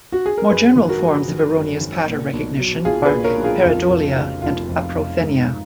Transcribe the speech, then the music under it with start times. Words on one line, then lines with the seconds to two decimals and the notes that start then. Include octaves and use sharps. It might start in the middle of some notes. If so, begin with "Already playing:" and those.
More general forms of erroneous pattern recognition are "pareidolia" and "apophenia".
0.12 F#4
0.26 G#4
0.38 A#4
0.50 F#2 G#4 B4
0.76 G#1
0.89 F#4 A#4
1.03 F3
1.28 G#1
1.55 F#2
1.80 G#1
2.07 A#2
2.34 B1
2.59 F#3
2.85 B1 F4 G#4
3.05 G#4 B4
3.12 A#2
3.24 A#4 C#5
3.38 B1
3.44 F4 G#4
3.63 F2 F4
3.90 F1
4.16 C#3
4.42 F1 F4
4.69 F2
4.95 F1
5.21 G#2